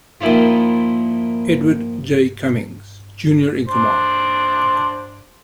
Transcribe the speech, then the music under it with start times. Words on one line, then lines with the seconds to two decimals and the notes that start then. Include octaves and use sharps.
Edward J. Cummings, Junior in command.
0.21 A#2 D#3 F3 E4 F4
3.68 D4 C5